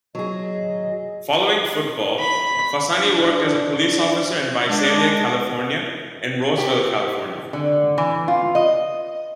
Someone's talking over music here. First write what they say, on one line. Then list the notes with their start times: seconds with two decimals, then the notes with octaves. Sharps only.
Following football, Fasani worked as a police officer in Visalia, California and Roseville, California.
0.15 F#3 G#4 D#5
2.19 B5
3.04 D4
4.69 G#3 D4
6.58 G4
7.53 D3
7.98 E3
8.28 F4
8.55 D#5